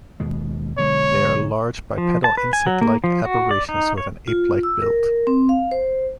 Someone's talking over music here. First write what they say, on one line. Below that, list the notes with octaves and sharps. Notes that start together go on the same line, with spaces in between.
They are large, bipedal, insect-like aberrations with an ape-like build.
D#2 B2 G#3
B1 D3 G#3 C#5
F3
A5
B4
G#5
F#3
A#3
F3
F#4
D5
D#4
C#5
F4
E6
A#4
C4
F5
C5